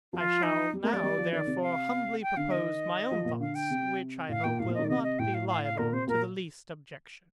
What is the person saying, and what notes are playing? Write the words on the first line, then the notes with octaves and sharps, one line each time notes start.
I shall now therefore humbly propose my own thoughts, which I hope will not be liable to the least objection.
F3 F4
D#4
G3
A3 A#4
G3 D5
G3
F3
D#3 D5
C3
F5
G5
D3 F5
D#3 D#5
F3
A#2
D3 F5
G5
C3
A2 F5
A#2 G5
A2 F5
A#2
D#3 D#5
D5
C3 D#5
D#5
A2 G5
F5
F5
F5
A#2 A#4
C3 C5
A#2 A#4